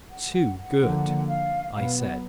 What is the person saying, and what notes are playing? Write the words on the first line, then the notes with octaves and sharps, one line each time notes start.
"Too good," I said.
F#5
F#5
F#5
D3 F3 A#3 F#5
F5
B2 F#3 B3 F5
F#5